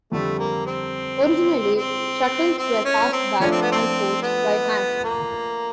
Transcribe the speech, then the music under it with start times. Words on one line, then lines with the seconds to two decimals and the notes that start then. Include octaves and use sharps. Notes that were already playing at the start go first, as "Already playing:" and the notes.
Originally shuttles were passed back and forth by hand.
0.12 F2 D3 G3 A3
0.39 A#3
0.66 C4
1.76 C4
2.58 C4
2.85 C#4
3.12 C4
3.40 F3 A3 C#4 D4 F4
3.51 C4
3.61 B3
3.72 C4
4.22 B3
5.04 A#3